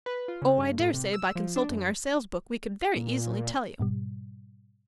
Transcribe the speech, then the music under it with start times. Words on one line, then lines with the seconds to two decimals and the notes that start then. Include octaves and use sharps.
Oh, I daresay by consulting our sales book we could very easily tell you.
0.06 B4
0.28 F4
0.42 C#3
0.58 G2
0.79 A2
0.94 C3
1.13 E6
1.35 F3
1.56 D4
1.70 F#2
2.96 A#2
3.80 G#2 B2 G3